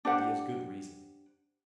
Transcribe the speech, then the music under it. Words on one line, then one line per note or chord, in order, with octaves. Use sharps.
And he has good reason.
D4 G4 C5 F#5